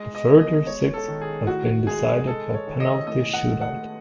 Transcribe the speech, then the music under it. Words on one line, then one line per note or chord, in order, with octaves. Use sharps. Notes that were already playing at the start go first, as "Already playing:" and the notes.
The further six have been decided by penalty shoot-out.
Already playing: G#3 D#5
D#5
B2
D#5
G#3 C#5
A4
D#3
G#4
A2 F#4
G#3 G#4
G#3 A4
C#5
D#3
D#5
A2 D#5
F#5
A3
F#5